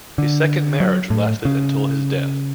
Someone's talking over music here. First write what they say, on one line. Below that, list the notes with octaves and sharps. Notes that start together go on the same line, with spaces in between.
His second marriage lasted until his death.
D3
F#3
A2
C#3